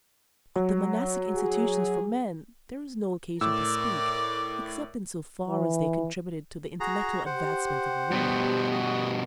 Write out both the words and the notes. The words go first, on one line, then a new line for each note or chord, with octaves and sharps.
Of the monastic institutions for men there is no occasion to speak, except in so far as they contributed to the intellectual advancement of woman.
F#3
G#4
A2 A#4 D5 D6 E6
E3
F#4 G#4 A#5
G4 C5 F#5
G2 B2
F#4 D#6